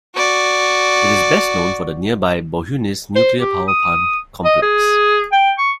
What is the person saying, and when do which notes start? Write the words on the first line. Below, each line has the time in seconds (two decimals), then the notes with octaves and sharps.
It is best known for the nearby Bohunice Nuclear Power Plant complex.
0.15 F#4 D5
3.16 C5
3.41 G4
3.68 D#6
4.44 D#5
4.62 G#4
5.32 G5
5.58 C#6